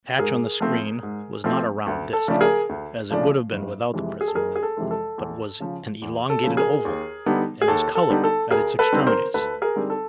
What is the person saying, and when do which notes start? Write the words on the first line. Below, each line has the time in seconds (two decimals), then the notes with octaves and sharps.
The patch on the screen was not a round disk, as it would have been without the prism, but was an elongated oval and was coloured at its extremities.
0.19 G#2 G#4 A#4
0.61 F3 A3 C4
1.03 G#2
1.44 F3 A3 C4
1.86 D2
2.13 A4
2.28 C#3 F3 A3 D4
2.41 G#4 A#4
2.69 D2
3.10 C#3 F3 A3 D4
3.52 F#1
3.94 F2 C3 E3 G#3
4.21 G#4
4.28 A4
4.35 F#1 G#4 A#4
4.56 G#4
4.63 A4
4.77 F2 C3 E3 G#3
4.91 A4
5.18 E2
5.60 C#3 F3
6.02 E2
6.30 A4
6.44 C#3 F3
6.57 G#4 A#4
6.85 D#2
7.26 D3 G3 B3 D#4
7.62 G#4
7.68 D#2 A4
7.95 A4
8.10 D3 G3 B3 D#4
8.24 A4
8.51 D2 G#4 A#4
8.79 A4 B4
8.92 D3 G3 C4 D#4
9.07 A#4 C5
9.34 D2 A4 B4
9.62 G#4 A#4
9.76 D3 G3 C4 D#4
9.90 A4